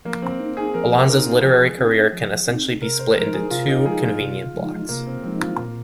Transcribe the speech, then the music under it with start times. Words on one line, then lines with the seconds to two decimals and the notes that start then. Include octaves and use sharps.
Alonso's literary career can essentially be split into two convenient blocks.
0.05 F3 A#3
0.22 C4
0.39 C4 D#4
0.57 G#4
0.74 F3 A#4
0.92 C5
1.09 C4 D#4 A#4
1.26 F4
1.44 F3 G#4
1.78 C4 D#4
2.13 F3
2.47 C4 D#4
2.82 C3 A#4
2.99 C5
3.16 F3 G#3 D#4 A#4
3.34 G#4
3.51 C3 F4
3.69 D#4
3.85 F3 G#3 D#4 G#4
4.03 F4
4.20 C3
4.54 F3 G#3 D#4
4.89 C3 A#3
5.07 C4
5.23 F3 G#3 C4 D#4
5.41 F4
5.58 A#2 A#3